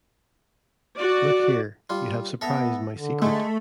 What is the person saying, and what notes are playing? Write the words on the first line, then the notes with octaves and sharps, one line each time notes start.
Look here, you have surprised my secret.
F#4 D5
G3 F4
B3 A4 E5 A#5
D3
G#3 A3